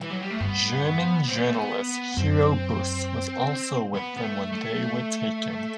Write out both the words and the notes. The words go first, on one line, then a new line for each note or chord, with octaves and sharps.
German journalist Hero Buss was also with them when they were taken.
E3
F#3
G3
A3
G2 B3
C4
B3
A3
B3
F#2 C4
B3
B3
A3
A3